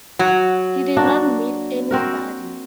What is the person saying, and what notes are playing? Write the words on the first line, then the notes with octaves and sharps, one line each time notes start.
He did not meet anybody.
F#3 F#4
A#3 D4 F#4
C4 F#4 A#4